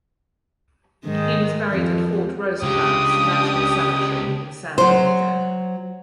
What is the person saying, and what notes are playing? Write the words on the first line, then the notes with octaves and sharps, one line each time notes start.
He was buried at Fort Rosecrans National Cemetery in San Diego.
G#2 D#3 G#3
F2
C#3 G#3 D4 G4 D#6
F#3 C5